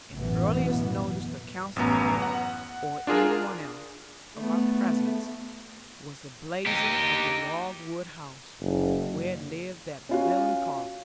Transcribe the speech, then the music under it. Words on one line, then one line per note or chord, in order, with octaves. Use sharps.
And the earliest notice the Counsellor had, or any one else, of our presence, was the blazing of the log-wood house, where lived that villain Carver.
A1 F#2 B2 E3 B3
A1 F#2 B3 A#5
F#5
D4 F4 G#4 A#4
A3 B3
D#4 G4
F#1
C#4 F4 F#4